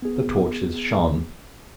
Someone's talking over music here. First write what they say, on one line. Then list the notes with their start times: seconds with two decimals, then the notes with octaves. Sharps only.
The torches shone.
0.02 B3 G#4